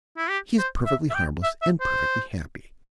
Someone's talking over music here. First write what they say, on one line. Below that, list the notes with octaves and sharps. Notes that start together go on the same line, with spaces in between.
He is perfectly harmless, and perfectly happy.
E4
G4
C5
E5
E5
G5
E5
E5
C5